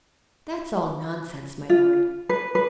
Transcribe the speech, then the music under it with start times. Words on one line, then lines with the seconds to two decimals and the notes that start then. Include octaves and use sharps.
"That's all nonsense, my lord."
1.70 F4
2.29 B4
2.55 B4